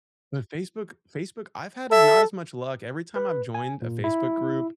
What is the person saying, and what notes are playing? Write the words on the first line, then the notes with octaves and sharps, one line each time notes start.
But Facebook Facebook, I've had not as much luck, every time I've joined a Facebook group
A4 E5
B4
G#5
A#2
E4